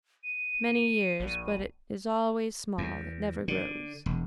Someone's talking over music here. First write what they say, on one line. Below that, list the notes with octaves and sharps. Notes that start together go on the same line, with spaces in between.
"Many years; but it is always small; it never grows."
D#7
A#1
E2
D3
E1